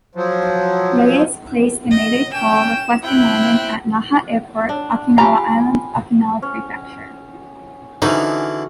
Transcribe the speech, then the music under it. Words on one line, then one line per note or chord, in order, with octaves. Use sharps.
Reyes placed the Mayday call, requesting landing at Naha Airport, Okinawa Island, Okinawa Prefecture.
F3 F#3
D#5
C#4 G5 E7
C4 E4 G5 F#6
D4
F4 G4 G#5 A#5 B5
C#4
D3 E3 C#4 D#4 F#4 G#4